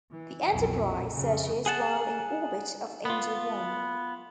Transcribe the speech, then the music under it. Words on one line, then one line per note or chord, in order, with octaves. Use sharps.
The "Enterprise" searches while in orbit of Angel One.
E3
B1 F2
A#1
F2 C#3
G#4 F#5 A5
B3 F4